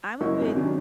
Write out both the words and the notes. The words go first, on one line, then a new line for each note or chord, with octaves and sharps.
I'm a big
F#1 E4 A#4 C#5 D#5 C#6
G#1 G#3 D#4
F#2 C3 D#3 C#4 D4